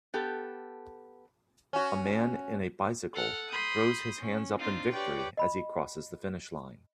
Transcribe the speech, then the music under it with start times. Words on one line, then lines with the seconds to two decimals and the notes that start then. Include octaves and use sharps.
A man in a bicycle throws his hands up in victory as he crosses the finish line.
0.14 B3 G4 A4
1.73 C#4 F#4
3.14 A4 F#5 F6
3.49 B5 C6 D#6 G6
4.18 C#4
4.59 C4 D4 D#4 F4
4.91 G4 B4 C#5 D5 G5
5.37 D#5 B5